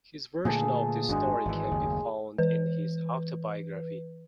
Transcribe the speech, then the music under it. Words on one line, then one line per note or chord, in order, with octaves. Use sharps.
His version of the story can be found in his autobiography.
A#2 D3 A3 G#4 A5
G#1 F#2 G#3 D4 F#4
G#1 E3
F#1 D#2
E3 B4